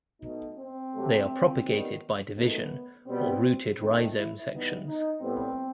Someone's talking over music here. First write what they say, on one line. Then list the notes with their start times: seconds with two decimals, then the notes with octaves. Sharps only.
They are propagated by division or rooted rhizome sections.
0.21 B2 A3 D#4
0.57 C4
0.93 C3 F#3 A3
1.64 D#3 G3 B3
2.35 D#3 F#3 A3 B3
3.07 B2 G3 B3 C4
3.79 D#3 A3 C4
4.15 E4
4.50 C3 E3 G3 B3 D#4
4.86 D#4
5.21 A2 G3 B3 C4